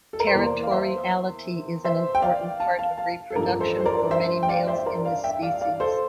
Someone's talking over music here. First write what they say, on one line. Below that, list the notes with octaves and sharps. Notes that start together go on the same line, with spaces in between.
Territoriality is an important part of reproduction for many males in this species.
A4
A#4
C5
E2 E3 A#3 A#4 D5
F5
C5 E5
C5 E5
G5
D5 F5
F5 A5
F5 A5
F5 A5
A4
A1 G2 F3 A#4
A4 C5
C5
A#4 D5
C5 E5
G5
D5 F5
C5 E5
E5
A#4 D5
D5 F5
E5 G5
D5 F5
D5 F5
A4 C5